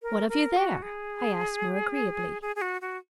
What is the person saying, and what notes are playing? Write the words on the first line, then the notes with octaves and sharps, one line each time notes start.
"What have you there?" I asked more agreeably.
A#4
A#4
F#4
G#4
G#4
G#4
F#4
F#4